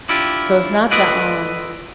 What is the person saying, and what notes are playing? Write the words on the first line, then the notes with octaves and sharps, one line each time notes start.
so it's not the, um,
D4 E4 F4 G4
F4 A4 B4 D5 D#5 F#5